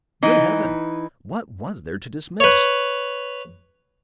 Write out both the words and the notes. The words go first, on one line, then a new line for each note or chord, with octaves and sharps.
Good Heaven, what was there to dismiss!
E3 D#4
B4 C#5